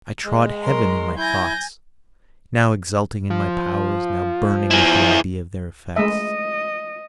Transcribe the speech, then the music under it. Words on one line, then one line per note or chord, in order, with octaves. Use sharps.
I trod heaven in my thoughts, now exulting in my powers, now burning with the idea of their effects.
G#3
F#3 A#4 C6
E4 G#5 G6 A#6
F3
E4 G#4
G#3 A3 D#5 E5